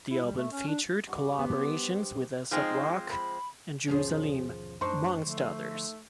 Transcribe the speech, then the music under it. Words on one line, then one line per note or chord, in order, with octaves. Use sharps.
The album featured collaborations with Aesop Rock and Juice Aleem, amongst others.
E4
G3
A3
C#4
D4
G2 F#4
B3 G4 C5 D#5
F3 G#3 C4 D#4
B5
G1 D#2 B2 F3 C#4 G#4
F#2 A3 D4 D#4 C5 C6 C#6
D3 F3 A3